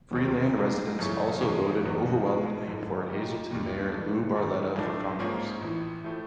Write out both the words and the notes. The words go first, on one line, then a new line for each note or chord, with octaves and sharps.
Freeland residents also voted overwhelmingly for Hazleton mayor Lou Barletta for Congress.
D#2 D#3 G#3 C4 D#4
B1 A#2 G3 A#3 D4
F#2 C#3 E3 A3 C#4
E2 C#3 F3 G#3 C#4
F#1 E2 C#3 F#3 B3
B2 G#3 C#4
G1 F#2 D3 F3
A#2 F#3 A#3 D#4 G4
D#2 D#3 G3
G2 E3 A3
G#2 D#3 G3
B1 A2 F3 A3 D4
G#2 F3 A#3 C#4
A1 A2 E3
A2 F3 A3